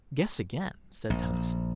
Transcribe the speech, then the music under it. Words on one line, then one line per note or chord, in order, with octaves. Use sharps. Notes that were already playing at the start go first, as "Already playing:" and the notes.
"Guess again," said Tennyson.
A#1